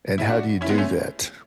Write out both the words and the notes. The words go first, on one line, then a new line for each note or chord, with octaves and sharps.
and how do you do that?
E4
D4 F#4
C#4 E4
G#3 B3
A3 C#4